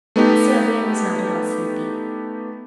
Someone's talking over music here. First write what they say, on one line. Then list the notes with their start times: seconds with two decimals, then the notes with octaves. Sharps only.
But Sylvia was not at all sleepy.
0.16 A3 B3 D#4 G4